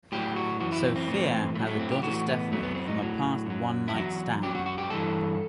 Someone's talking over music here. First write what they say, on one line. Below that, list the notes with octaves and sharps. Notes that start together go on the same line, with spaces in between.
Sophia has a daughter Stephanie, from a past one night stand.
A2 F#3 G4
F#4
F#2 E3 F#4
E4
C4
C4
A2 E3
A2 F#3 A3
A3
C4
G4
A2 E3 F#4
B3
F#2 F#3 A3
B3
C4
D#4
A2 F#3
F#2 F#3
E4
E2 B2 F#3 F#4
F#2 F#3 G4
F#4
F#4
G4
G2 E3 A4